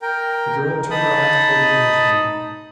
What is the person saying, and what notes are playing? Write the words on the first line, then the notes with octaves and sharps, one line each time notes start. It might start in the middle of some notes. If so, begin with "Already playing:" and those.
The girl turned her eyes toward the Englishman.
A#4 G5
D#4 A5 B5 D#6